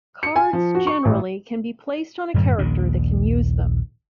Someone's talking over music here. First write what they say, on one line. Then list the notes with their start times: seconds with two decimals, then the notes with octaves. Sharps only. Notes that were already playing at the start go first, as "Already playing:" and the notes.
Cards, generally, can be placed on a character that can use them.
0.23 C#7
0.36 G#5
0.53 F3
0.75 F#4
0.87 C#6
1.05 A1
2.34 F#2 A2 D3 F#3
2.58 A#1 D#2 D#3 D4